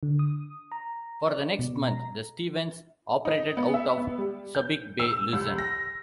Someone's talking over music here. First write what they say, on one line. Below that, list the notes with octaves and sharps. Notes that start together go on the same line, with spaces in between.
For the next month, the "Stevens" operated out of Subic Bay, Luzon.
D3
D#6
A#5
D5
B2
A#5
D#4
B3
E5
B3
G3
G6
E6
C2
A#6